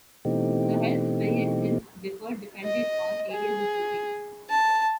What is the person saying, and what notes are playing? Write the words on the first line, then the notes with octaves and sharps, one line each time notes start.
The health of many residents differed depended on areas of living.
B2 E3 A3 C4 D#4 G4
D#5
G#4
A5